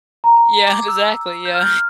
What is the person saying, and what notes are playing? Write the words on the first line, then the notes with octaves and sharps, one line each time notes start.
Yeah, exactly, yeah.
A#5
D6
E6
G6
F6